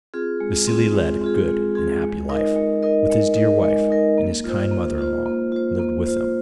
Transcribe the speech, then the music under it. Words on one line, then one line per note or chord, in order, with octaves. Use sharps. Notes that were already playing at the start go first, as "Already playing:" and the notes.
Vassili led a good and happy life with his dear wife, and his kind mother-in-law lived with them.
C4 F4 G#4
G#3
C4 F4 G#4
G#3
C4 F4 G#4
G#3
C4 F4 G#4
G#3
D#4 A#4 D#5
G#3
D#4 A#4 D#5
G#3
D#4 A#4 D#5
G#3
D#4 A#4 D#5
A#3
F4 C5
A#3
F4 C5
A#3
F4 C5
A#3
F4 C5